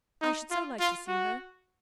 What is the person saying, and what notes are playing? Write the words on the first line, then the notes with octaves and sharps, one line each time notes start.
I should so like to see her.
D#4
F4
F4
F#4